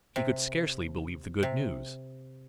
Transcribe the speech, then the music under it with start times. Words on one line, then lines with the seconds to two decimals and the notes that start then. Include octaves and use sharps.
He could scarcely believe the good news.
0.16 C3
1.43 C3